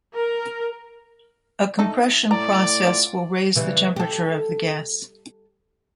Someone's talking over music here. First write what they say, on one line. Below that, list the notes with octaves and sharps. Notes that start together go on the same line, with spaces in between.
A compression process will raise the temperature of the gas.
A#4
A3 D#4 A4
A2 D5 A#5
F4
C#3 E3 G3
G4 A4